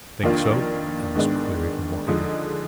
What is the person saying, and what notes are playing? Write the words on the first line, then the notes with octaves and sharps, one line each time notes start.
"Think so?" Ernest queried mockingly.
F2 D#3 A#3 D4 F4
G#2 D#3 G#3 B3 D4
D3 F3 G#3 D#4